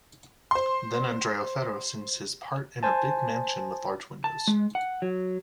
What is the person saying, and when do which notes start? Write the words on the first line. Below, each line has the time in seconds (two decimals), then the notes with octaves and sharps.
Then Andrea Ferro sings his part in a big mansion with large windows.
0.51 C5 C6
2.83 C5 G#5 A5
4.24 A5
4.48 G#3
4.75 F#5
5.02 F#3